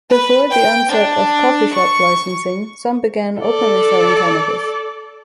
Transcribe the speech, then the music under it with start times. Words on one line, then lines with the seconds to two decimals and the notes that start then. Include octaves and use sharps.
Before the onset of "coffeeshop" licensing, some began openly selling cannabis.
0.11 B4
0.52 G5
0.92 D4
1.75 C#6
3.41 A4 D5